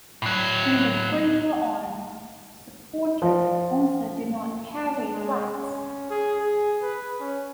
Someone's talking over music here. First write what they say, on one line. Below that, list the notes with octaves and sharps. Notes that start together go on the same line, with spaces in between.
In the greater arms, the supporters also do not carry flags.
A2 F#3
F3
G#3
C#4
G#4
G#4
B4
C#4